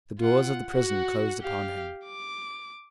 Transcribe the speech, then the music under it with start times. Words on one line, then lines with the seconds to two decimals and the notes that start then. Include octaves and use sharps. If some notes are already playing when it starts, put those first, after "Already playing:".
The doors of the prison closed upon him.
0.19 F4 F#5
0.68 F#4 F#5
1.43 G4 F5
2.06 D6